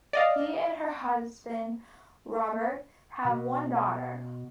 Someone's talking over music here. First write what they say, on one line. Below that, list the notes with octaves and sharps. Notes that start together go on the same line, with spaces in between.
She and her husband, Robert, have one daughter.
D5 D#5 F5
B2